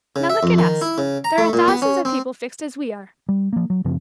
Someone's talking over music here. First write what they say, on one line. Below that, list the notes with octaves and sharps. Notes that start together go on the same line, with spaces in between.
Now, look at us,--there are thousands of people fixed as we are.
C#3
E5
F2
D#3
E4
C#3
A#5
A3
A#2
B3
C#4
C4
G3
F3 A#3
F#3
F#2 C#3 F3 C4